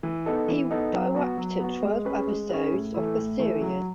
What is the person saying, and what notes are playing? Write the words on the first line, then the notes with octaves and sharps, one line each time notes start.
He directed twelve episodes of the series.
E3
B3 D#4 A4
E3
B3 D#4 A4
F#3
B3 F#4
F#3
B3 F#4
G#3
C#4 G#4 B4
G#3
C#4 G#4 B4
A2
E3 A3 E4
A2
E3 A3 E4
F#3